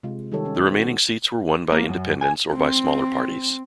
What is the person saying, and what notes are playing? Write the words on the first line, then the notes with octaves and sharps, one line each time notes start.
The remaining seats were won by independents or by smaller parties.
C3 G#3 F4
D#3 G3 G#3 G4 A4 C#5
C#4 D#4
C4 F#4
A#3
F#2
G#5
C4